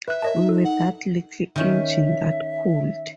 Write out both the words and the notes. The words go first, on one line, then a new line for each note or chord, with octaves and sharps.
We were that little engine that could.
B4 E5 F#6
A#4 C#5 D#5 A5
D#4
A4
F#5
D#3 C#4 E5